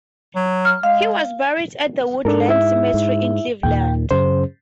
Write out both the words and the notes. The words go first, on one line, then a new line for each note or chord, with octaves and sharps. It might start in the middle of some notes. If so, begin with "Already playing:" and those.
He was buried at the Woodland Cemetery in Cleveland.
F#3
F6
G#3 F5
G#2 D4 A4 A#4
E4 E5
G#2
D#2 A#2 D#3 G5
F#2 C#3 C5